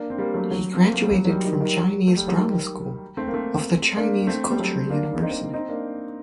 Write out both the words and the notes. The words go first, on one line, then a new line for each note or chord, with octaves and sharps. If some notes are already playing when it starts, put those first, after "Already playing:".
He graduated from Chinese drama school of the Chinese Culture University.
Already playing: A#3 D4
C4
G3 A#3
F#3 A3
F#3
C4
A#3
A3
G3
F#3
F#3
D#3 G3
D#3 G3
D#3
F#3
A3
G3
F#3
D#3 G3
A3 C4
A#3
A3 C4
A#3 D4
A3 C4
G3
F#3 A3
A#3 D4
C4 D#4
C4 D#4
A#3 D4